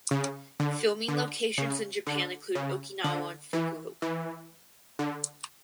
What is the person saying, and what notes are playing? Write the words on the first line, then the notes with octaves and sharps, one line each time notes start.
Filming locations in Japan include Okinawa and Fukuoka.
C#3
D3
D3
C#3
D3
C#3
D3
E3
E3
D3